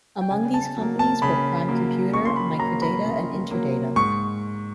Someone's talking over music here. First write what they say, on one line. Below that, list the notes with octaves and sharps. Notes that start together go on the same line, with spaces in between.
Among these companies were Prime Computer, Microdata, and Interdata.
G5
C#3 G#5
A5
F#3 A#3
A5
C#3 B5
F#3 A#3
C#3 C#6
C6
B5
F#3 A#3 A#5
B5
C#3
F#3 A#3
G#2 C#6